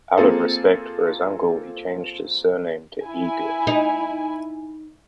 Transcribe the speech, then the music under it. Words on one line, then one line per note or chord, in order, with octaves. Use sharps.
Out of respect for his uncle he changed his surname to Eger.
A#3 C4 F4 G#4 A4
E4 G#5
D#4